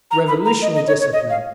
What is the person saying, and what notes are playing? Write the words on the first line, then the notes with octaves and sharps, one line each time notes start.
Revolutionary discipline!
A#5
B5
A#5
D#5
D#5
C#5
C#5
D#5
F5